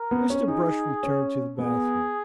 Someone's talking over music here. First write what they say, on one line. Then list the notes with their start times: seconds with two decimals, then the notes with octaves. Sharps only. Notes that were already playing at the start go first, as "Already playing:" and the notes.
Mr. Brush returned to the bathroom.
Already playing: A#4
0.11 B3
0.30 C#4
0.48 D#4 G#4
1.03 C#4
1.58 B3 G#4